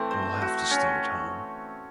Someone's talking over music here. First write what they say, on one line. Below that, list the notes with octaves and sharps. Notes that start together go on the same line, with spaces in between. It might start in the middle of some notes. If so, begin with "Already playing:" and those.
I’ll have to stay at home.
Already playing: E3 A3 C4
C5
F#4
C#4